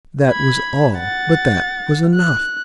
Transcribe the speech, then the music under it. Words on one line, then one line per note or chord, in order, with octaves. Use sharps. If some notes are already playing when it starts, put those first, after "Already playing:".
That was all, but that was enough.
B5 G#6
F#5 A6
F#6